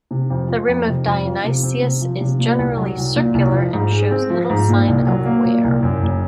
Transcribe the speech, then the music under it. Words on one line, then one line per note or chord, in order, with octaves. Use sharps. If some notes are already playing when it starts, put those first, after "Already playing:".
The rim of Dionysius is generally circular and shows little sign of wear.
C3
F2
F3
F2
C3
F2
F3
C3
C4
C3
F3
C3
A#2
C2
F#3
C2
A#2
C2
F3
G#2
G#3
C4
F3
G#2
A#2
C2
F#3
A#3
A#2
C2
F#2
F#1